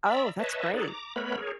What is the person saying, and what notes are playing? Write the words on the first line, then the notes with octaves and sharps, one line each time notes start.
Oh, that's great.
D5 E5 A#5 B5 E6
B4 C#5 D#5 E5 A5
D#4 G#4 A4 B4 C#5 D5
A#5 D6
A3 B3 A#4 B4 C#5 B5
G#4 A#4 C#5